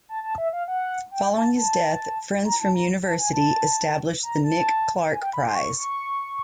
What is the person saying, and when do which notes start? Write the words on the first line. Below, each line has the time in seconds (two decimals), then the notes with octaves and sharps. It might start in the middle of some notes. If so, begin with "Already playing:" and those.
Following his death, friends from university established the 'Nick Clarke Prize'.
0.09 A5
0.23 A5
0.38 E5
0.53 F5
0.68 F#5
1.11 G5
1.34 A5
1.56 A5
2.44 A#5
2.60 A5
2.75 A#5
3.04 A5
3.19 G#5
3.33 A5
4.23 A#5
4.44 A5
5.11 G#5
5.22 G5
5.33 B5
5.45 C6
5.56 C#6
5.78 C#6